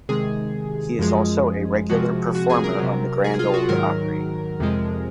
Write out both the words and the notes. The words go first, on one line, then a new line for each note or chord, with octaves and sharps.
He is also a regular performer on the Grand Ole Opry.
C3 D#3 G#3 G#4
F#2 F3 G#3
C3 F3 G#3 F#4
F#4
G#4
A#4
C3 F#3
G#4
F4
F#4
G#2 D#3 F#3 A#4
F2 C3 F3 G#3